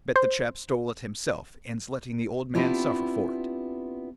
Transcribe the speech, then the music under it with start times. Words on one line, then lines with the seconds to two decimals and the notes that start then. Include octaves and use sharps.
Bet the chap stole it himself and 's letting the old man suffer for it.
0.16 C5
2.55 B3 C4 D4 E4 F4 G4